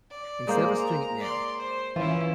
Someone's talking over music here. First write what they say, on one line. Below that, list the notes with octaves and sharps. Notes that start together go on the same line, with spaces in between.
Instead of us doing it now,
D5
G#3 A#3 C5
A#5
D5 C6
C5
E3 C#4 E4 F4